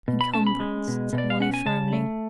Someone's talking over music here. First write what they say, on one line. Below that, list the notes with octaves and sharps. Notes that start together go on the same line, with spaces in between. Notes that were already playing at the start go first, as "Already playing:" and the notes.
"Encumbrance," said Wally firmly.
B2
B5
C#4 A5
B5
G#3
B2
B2
D5
F5
C#4 F#5
G#5
C#3 A5
A3